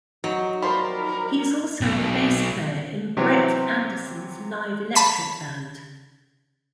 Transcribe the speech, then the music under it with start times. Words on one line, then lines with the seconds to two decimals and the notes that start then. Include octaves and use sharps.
He is also the bass player in Brett Anderson's live electric band.
0.24 F#3 D#4
0.63 F3 G3 D#4 A#4 C5 B5
1.81 B1
3.17 C3 E3 F#3 C4
4.95 A5 B5 B6 D#7